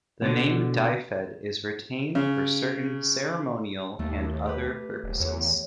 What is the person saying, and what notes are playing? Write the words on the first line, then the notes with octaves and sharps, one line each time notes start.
The name "Dyfed" is retained for certain ceremonial and other purposes.
B2 D3
C#3
D#2 A3
G4 B4
D#1
E2 C#5